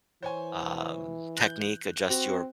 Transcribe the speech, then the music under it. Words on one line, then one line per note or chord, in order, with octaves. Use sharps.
um, technique, adjust your m m
E3 C5 C#5 G#5
F#6 G6
C4 F#4